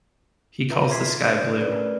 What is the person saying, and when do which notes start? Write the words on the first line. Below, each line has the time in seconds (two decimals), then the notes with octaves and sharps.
He calls the sky blue.
0.69 F4 B4 E5 A#5
0.91 C6 D6 G#6 B6 C7
1.21 D4 B4 D5 E6 D7
1.61 A3 C#4 A#4 B4 D5